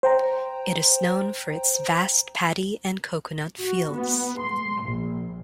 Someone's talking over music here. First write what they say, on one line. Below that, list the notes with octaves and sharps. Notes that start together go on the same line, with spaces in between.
It is known for its vast paddy and coconut fields.
C5 G5 A#5
F#4
B3
C6
A#1